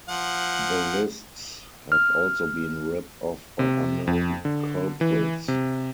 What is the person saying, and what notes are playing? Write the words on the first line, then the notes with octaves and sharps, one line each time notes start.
The lists have also been ripped off by unknown culprits.
F3 F#5
F6
C3
F2
D3
E3
C3